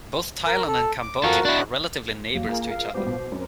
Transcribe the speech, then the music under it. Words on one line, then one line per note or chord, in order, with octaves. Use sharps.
Both Thailand and Cambodia are relatively neighbors to each other.
A#4
A4
D6
F4 F#4 A4 A#4
D4 E4 F#4 F#6
F2 F#3 A#3
F4 G#4 A#4
F5
G3 B3 F4 F#4 C5 D6
B2
F#2 C4 A#4